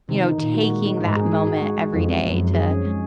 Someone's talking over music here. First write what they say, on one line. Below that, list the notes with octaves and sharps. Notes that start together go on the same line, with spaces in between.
you know, taking that moment every day to,
C3 D#3
D#4
A#2 D#3
F#4
G#3
D#4
G#2 D#4
G#4
G#3
F#4
G#3
G#3
F2 F3
C4
F#2 F3
F3
G#4
C#4
G#3